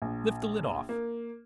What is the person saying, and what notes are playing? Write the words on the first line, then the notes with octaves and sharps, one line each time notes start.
"Lift the lid off!"
A#1
A#3